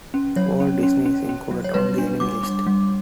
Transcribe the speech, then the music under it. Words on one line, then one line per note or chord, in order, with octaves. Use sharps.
Walt Disney is included on the Enemy List.
C#4
F#3 C#5
C#4
C#4
C#4
C#4
F#3
C#5
G3 B4
D4
G3 D6
G3 D6
G3